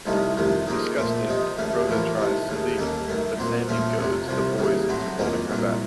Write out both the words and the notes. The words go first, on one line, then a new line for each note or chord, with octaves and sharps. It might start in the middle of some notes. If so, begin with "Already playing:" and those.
Disgusted, Rhoda tries to leave, but Sandy goads the boys into holding her back.
C2 C3 F3 A3 D#4
F2 C3 D#3 A3
C#3 F3 A#3 D#4
A#2 A3 C4
C3 F3 C4 D#4
D#2 C#3 A3 C#4
A1 A2 F3 A#3 F4
C3 D#3 A3
D#2 C#3 A3
D#2 D#3 A#3 C#4 A4
F#2 D#3 A3
A#2 F#3 C4
A#2 F3 A3 C#4 F4
F2 C3 F#3
C2 C3 F3
D#2 C#3 F#3
A2 F#3 C4 F#4
F2 D#3 F#3 A#3 C#4
C2 A#2 F#3